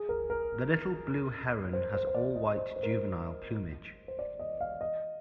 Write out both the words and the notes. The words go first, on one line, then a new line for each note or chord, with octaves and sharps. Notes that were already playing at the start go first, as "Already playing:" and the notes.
The little blue heron has all-white juvenile plumage.
Already playing: G#4
A#4
A#4
C5
C5
C5
D5
D#5
C5
C5
A#4
C5
C5
D5
D#5
F5
D#5